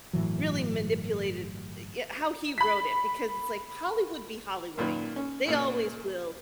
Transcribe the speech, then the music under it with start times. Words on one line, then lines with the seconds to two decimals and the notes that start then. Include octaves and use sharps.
really manipulated i yeah, how he wrote it, because it's like Hollywood be Hollywooding, they always will
0.13 G1 A2 E3 F#3
2.58 B5 B6
4.77 F#2 A#2 D#3 B4
5.16 C#4
5.45 A#2 C#3